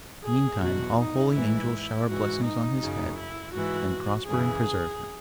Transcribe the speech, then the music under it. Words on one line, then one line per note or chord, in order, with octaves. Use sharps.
Meantime, all holy angels shower blessings on his head, and prosper and preserve him.'
G#4
E2 B2 F#3 F#4
D#4
G#2 E3 E4
G#2 E3 F#4
D#4
F#2 C#3 F#3
E4
G#2 E3 F#4
F#2 C#3 E3 G#4